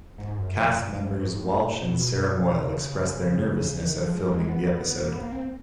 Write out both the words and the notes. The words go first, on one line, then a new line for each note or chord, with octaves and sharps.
Cast members Walsh and Sarah Moyle expressed their nervousness at filming the episode.
G#2
F#2
F2
G2
G#2
G#2
A2
A2
B2
C#3
D#3
F3
G#3
G3
G#3
B3
B3
A#3
B3
A#3
C4